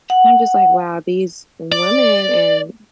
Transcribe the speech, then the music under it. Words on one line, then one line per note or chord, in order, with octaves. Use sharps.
and I'm just like, "Wow, these women, and"
F#5
D5